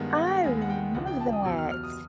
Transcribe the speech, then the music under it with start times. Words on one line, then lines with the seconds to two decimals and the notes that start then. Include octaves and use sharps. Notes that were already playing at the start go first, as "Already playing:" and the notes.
I love that.
Already playing: G2 D#3 G#3 B3
0.10 F#5
0.27 G5
0.43 D#2 D#3 G#3 B3 G#5
0.62 F#5
0.70 G5
0.94 C#2 C#3 F3 F#5
1.07 G5
1.20 A5
1.33 D#6
1.45 E2 B2 F#3 E6
1.58 F6
1.71 F6
1.83 D#6